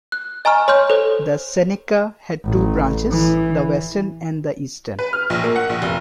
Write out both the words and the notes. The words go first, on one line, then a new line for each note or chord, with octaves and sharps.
The Seneca had two branches; the western and the eastern.
F#6
D#5 G#5 A#5 C#6 F6
C#5 C6 F6 G6
A4 C5 C#5
A1
E3
B4
F6
A#1
A#3
F#5
A#1
F1